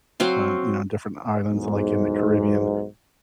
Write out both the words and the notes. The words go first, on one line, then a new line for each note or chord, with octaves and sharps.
um, you know, different islands like in the Caribbean.
F#3 C4 F5
B1 E2 G#2